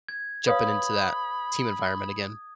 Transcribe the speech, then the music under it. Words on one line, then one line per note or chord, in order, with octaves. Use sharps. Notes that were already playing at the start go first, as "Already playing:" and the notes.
jumping into that team environment again.
G#6
B4 C#5 F5 B5 D#6